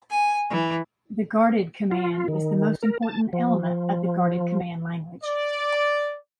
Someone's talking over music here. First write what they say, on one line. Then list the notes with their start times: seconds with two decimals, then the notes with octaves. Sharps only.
The guarded command is the most important element of the guarded command language.
0.10 G#5
0.49 E3
1.91 F4
2.28 D#3
2.83 A#4
3.03 A5
3.33 F3
5.24 D5